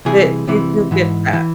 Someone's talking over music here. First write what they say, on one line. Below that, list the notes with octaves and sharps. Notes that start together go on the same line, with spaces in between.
th you do get that.
C2 C3 E3 G#4
C2 C3 E3
G#2 E3
E3